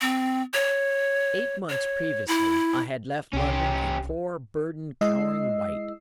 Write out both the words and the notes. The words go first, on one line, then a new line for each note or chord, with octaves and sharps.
Eight months previously, I had left London a poor burdened, cowering wight.
C4
C#5
C#5
E4
C2 C3 C#4 G4
G#3 E4 D#5 E6 C7